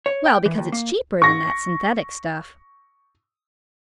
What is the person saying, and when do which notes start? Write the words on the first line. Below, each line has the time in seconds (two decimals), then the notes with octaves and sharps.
"Well, because it's cheaper than that synthetic stuff."
0.06 C#5
0.26 G5
0.46 E3
0.58 D#2
0.72 A#3
1.22 C#6 A#6